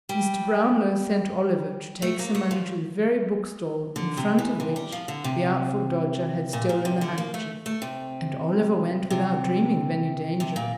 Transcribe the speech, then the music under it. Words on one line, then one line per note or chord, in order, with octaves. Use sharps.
Mr. Brownlow sent Oliver to take some money to the very book-stall in front of which the Artful Dodger had stolen the handkerchief, and Oliver went without dreaming of any danger.
G3
A3
A#3
A3
F3
D3
C3
E3
C3
G3
F3
D3
C3
A#2
A#2
C3
D3
A#3
A3
A3
C3
C3
C3
A#2